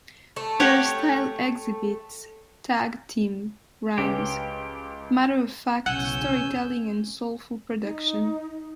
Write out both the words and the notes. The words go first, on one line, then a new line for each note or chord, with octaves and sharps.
Their style exhibits tag-team rhymes, matter-of-fact storytelling and a soulful production.
A3
G4 C#5 F#5
C#2 C#4 G4 B4
B1 E2 C#3 C#4 F#5 G#5 E6 G6
D#4